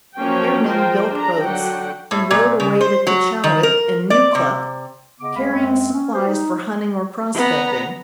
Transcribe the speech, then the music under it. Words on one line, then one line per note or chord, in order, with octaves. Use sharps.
Here men built boats, and rowed away to Keechawik and Neukluk, carrying supplies for hunting or prospecting.
F3 F#3 A#3 C#4 C#5 G5
F4 G#4 A#4 C5 G5
D4 A#5
D3 F#3 D4 F#5 G5
A2
A#2
C#3
C5
F#3
D#3
A#4
D5
C3
C#3 B3 D#5 D6
D2 G#3 G#4 F5 B5
F#2 G#3 A#3 C4
C#4
F#4 G4 B4 C5
D#4
B3 A#5